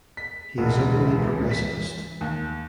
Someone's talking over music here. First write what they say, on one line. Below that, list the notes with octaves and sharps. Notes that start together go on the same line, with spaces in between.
He is openly progressivist.
B6
E1 C#2 C#3 E3
B6
D#2